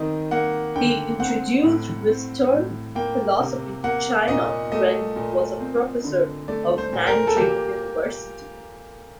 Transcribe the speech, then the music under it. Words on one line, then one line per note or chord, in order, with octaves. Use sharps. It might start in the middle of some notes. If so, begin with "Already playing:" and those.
He introduced western philosophy to China when he was a professor of Nanjing University.
Already playing: D#3 C4 D#5
A#3 F#5
D3 G5
C4 F#5
A2
C4
A2
A#3 G5
C3
A#3 F#5
A#2 D#5
A3 D#5
A#2
C4
D3
A3 D5
C5
A#2
A#4
A4
A#3 G4